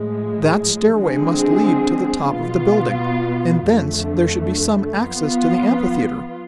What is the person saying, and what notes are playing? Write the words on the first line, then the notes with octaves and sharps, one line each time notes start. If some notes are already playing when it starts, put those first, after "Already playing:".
That stairway must lead to the top of the building, and thence there should be some access to the amphitheatre.
Already playing: A2 F3 G#3
D3 F3 G#3 C4 G#4
B2 B3 F4
F2 D3 A3
F3 B3 F4